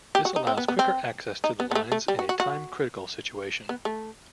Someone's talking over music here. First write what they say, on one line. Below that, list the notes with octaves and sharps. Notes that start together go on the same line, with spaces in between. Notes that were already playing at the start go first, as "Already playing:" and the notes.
This allows quicker access to the lines in a time-critical situation.
G4
F#4
D#4
C4
B3
B3
C4
D#4
B3
B3
A3
A3
G3
F#4
F#4
F#4
B3
A3